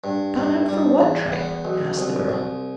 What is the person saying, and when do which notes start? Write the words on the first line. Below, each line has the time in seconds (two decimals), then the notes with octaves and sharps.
"Gone out for what tripe?" asked the girl.
0.04 G2
0.35 G2
0.69 G3
1.01 E2
1.32 B3
1.65 B1
1.97 C2
2.29 C2